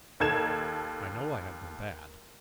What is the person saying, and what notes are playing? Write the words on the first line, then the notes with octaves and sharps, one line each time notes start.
I know I have been bad.
D#2 A4 G#6 E7